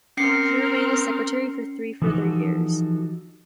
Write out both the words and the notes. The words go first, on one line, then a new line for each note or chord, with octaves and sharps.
He remained as secretary for three further years.
C4 C#4 A#4 C7 C#7
E3 F3 D#4 F#4 G4 A4